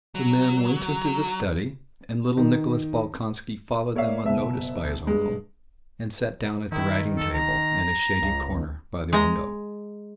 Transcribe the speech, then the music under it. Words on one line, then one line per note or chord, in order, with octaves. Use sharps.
The men went into the study and little Nicholas Bolkonski followed them unnoticed by his uncle and sat down at the writing table in a shady corner by the window.
F#3
D#3
A#3 C#5 D5 E5 F5
F#1 B2 E5
G2 G#3
D#3 E4
A4
A#5
C#2
G#3 A#5